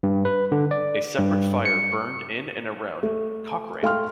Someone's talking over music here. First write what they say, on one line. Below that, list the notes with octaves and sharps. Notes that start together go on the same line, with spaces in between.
A separate fire burned in and around Cochrane.
G2
B4
D3
D5
G2
C#7
A3
A3 F5 G5 C6 F6